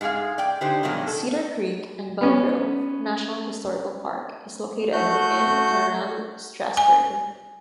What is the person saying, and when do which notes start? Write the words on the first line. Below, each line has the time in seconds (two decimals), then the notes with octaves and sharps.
Cedar Creek and Belle Grove National Historical Park is located in and around Strasburg.
0.01 G#2 G#3 G4 G#4 F5
0.38 D5 G5
0.61 D3 D4 D#4 G4 C5
0.83 G2 B2 D#3 F#3 G#3 D4
1.07 A4
2.21 B3 C#4
4.92 A3 F#4 G6
6.77 G#5